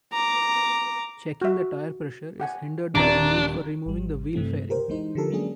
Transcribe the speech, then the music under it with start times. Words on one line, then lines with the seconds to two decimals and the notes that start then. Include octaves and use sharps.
Checking the tire pressure is hindered by the need for removing the wheel fairing.
0.12 A#5 D6
1.41 F#4 E5
2.40 G4 F#5 G#5
2.95 D#1 C4 D4 D5 A#5
3.86 G#1 G3
4.35 G2 C3 E3 A3 C4
4.70 G4 A#4 C5
4.89 E3 G#3 D#4 C5
5.15 D3 F3 G4 A4 A#4
5.30 F#3 G#3 A#3 C#4 D4 G#4